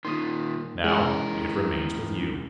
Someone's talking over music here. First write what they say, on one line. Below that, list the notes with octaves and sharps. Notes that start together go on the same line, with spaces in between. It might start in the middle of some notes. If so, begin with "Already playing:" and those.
Now it remains with you.
A#2 D#3 C6 D#6
E3 G#3 C#4 A#4